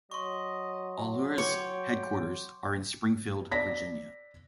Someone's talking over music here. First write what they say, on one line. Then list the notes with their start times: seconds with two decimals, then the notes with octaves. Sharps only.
Alhurra's headquarters are in Springfield, Virginia.
0.11 F#3 D#5 C6 C#6
1.38 C#5 G5 C6 D6
3.52 D5 A#6 B6